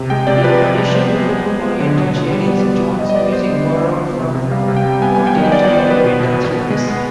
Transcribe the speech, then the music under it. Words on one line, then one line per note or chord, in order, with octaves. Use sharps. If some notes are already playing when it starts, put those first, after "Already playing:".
In addition to oriental shadings, Jones's music borrowed from continental European dance rhythms.
Already playing: C3
G#3 G5
C3 D5
F3 B4
G#3
C3
B3 C5
G#3
G#3
G#3
B3
D3
B2
B3
G3
B3 D5
B2
G3
G3 D#5
D#5
B3 D5
B3 C5
D3
B3
B3
B3
C3
C3
G3 F5
C3
G5
G3
B3 G#5
G#5
B3
G5
D#3 D#5
B3 D5
D5
B3
C5
B3 B4
B2
B2
B2
B3
G#3
B3